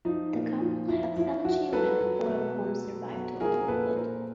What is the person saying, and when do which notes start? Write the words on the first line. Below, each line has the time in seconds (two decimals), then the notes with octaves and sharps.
The couple had seven children, four of whom survived to adulthood.
0.05 F3 D#4
0.33 A#2
0.61 F3
0.88 F3 E4
1.16 F3 E4
1.45 F3 E4 F#4
1.73 F#3 A4 B4
2.01 F#3
2.28 B2
2.56 F#3
2.84 B2
3.13 F#3
3.40 F3 G#4 A#4
3.68 A#2 A4 B4
3.96 A#2 A#4 C5